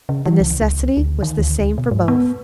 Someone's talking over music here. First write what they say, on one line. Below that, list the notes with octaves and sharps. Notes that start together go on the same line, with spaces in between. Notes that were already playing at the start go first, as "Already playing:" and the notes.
The necessity was the same for both.
C#3
E3
C2
C#2
D2
D#3
D2
D2
B2
G#2
B3